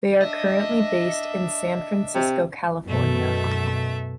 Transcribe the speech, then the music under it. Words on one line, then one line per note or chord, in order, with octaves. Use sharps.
They are currently based in San Francisco, California.
D4 D#5 E5
C3
F#2 B2 A3 E5